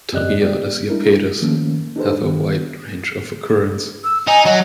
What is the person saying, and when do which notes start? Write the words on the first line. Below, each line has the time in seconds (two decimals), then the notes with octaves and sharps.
"Tagiades japetus" have a wide range of occurrence.
0.13 F#2 C4 G4 D5 D#5 F#6
0.41 B3 G4 D5
0.90 G3 G#3 D4 E4 A#4
1.42 D#3 F3 A3 A#3 C#4
1.96 D4 D#4 G4 A4 B4 C5
2.22 D#3 B3
4.04 E6
4.27 D#4 G#5
4.45 F#3 D#5